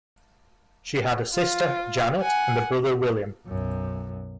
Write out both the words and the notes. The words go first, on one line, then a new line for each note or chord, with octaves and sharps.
She had a sister, Janet, and a brother, William.
F4
F#5 G#5
B1 F#2